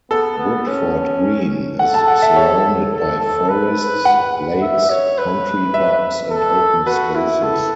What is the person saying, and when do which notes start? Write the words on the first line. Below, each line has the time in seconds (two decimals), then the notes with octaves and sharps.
Woodford Green is surrounded by forests, lakes, country parks and open spaces.
0.10 B3 A4
0.39 B3
0.67 C#4
1.79 A4 F#5
1.94 A5
2.08 F#5
2.22 E5
2.36 C#5
2.93 A4
3.20 A4
3.49 B4
4.05 F#5
4.61 E5
4.90 C#5
5.18 B4
5.74 E5
6.30 A4
6.87 F#4 B4
7.15 E4
7.43 A4